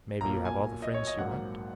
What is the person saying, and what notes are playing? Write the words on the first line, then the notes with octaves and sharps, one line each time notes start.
But maybe you have all the friends you want.
B1 A#2 A#3 A#5
G#5
D#5
C#5
D#5
A#1 G#2 F#3 A#3 F#5